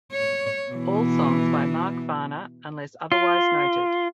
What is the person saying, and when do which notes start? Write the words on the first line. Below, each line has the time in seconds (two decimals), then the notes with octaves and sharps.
All songs by Mark Farner unless otherwise noted.
0.13 C#5
0.71 B2 E3
3.12 F4